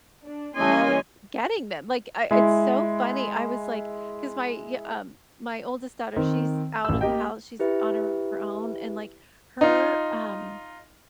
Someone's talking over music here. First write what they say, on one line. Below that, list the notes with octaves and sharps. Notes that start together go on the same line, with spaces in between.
love getting them. Like, I it's so funny. I was like 'cause my y um, my oldest daughter, she's out of the house, she's on her own, and, like, her, um,
D4
E3 G3 C#4 D#5 G#5 C6
G#3 E4
D#3 C4
A1 E6
A#3 G4 D#5 G5
E4 G4 B4 E5
D#4 F4